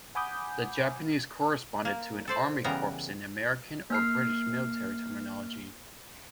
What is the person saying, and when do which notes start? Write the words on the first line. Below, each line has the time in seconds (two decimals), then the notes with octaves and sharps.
The Japanese corresponded to an army corps in American or British military terminology.
0.15 F#5 G#5 B5 D6 D#6 G6
1.85 A#3
2.28 A4 C5 D5
2.64 C#3 E3 G3 B3 A#4 A#5
3.90 A#3 F6 C7